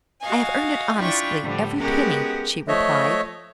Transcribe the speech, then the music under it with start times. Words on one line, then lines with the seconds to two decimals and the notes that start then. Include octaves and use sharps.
"I have earned it honestly, every penny," she replied.
0.20 F#4 D#5 F5 G#5
0.98 D4 E4 F4 G5 C#6
1.42 A2 D3 F3 G3
1.80 G#3 B3 C#4 F#4 G4 A#4
2.68 F3 A3 C#5 D#5 E5